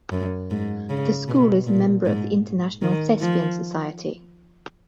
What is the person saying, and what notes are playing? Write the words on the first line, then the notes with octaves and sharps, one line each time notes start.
The school is a member of the International Thespian Society.
F#2
G#2
C#3
B2
A#2
G#2
D#3
F3